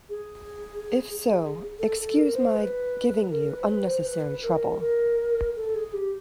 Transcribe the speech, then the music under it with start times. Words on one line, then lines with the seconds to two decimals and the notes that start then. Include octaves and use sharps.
If so, excuse my giving you unnecessary trouble.
0.09 G#4
1.79 A4
1.98 A4
2.17 A#4
2.35 C5
2.55 B4
3.30 A#4
3.49 B4
3.61 C5
3.67 B4
3.87 C5
4.05 B4
4.38 B4
4.44 A#4
4.80 A#4
5.56 A4
5.75 G#4
5.93 G4